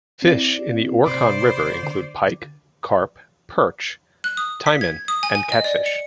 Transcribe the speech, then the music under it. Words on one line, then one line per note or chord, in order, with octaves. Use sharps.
Fish in the Orkhon river include pike, carp, perch, taimen and catfish.
C4 E4 D5
C3 C5 D5 B5
D3
F#6
D#6
B6
G#6
D#6
G#5
G#5
D#5
D5
C#7